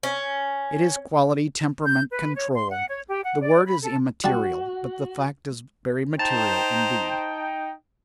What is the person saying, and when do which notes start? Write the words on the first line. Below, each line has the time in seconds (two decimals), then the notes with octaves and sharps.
It is quality, temperament, control--the word is immaterial, but the fact is very material indeed.
0.03 C#4
1.85 G6
2.11 B4
2.36 C#5
2.54 C6
2.70 F#5
2.89 C#5
3.08 G4
3.24 F#5
3.40 D5
3.66 B5
3.82 A4
4.24 G3 F#4 A5
6.19 D#4 C5 G5 A5 A#5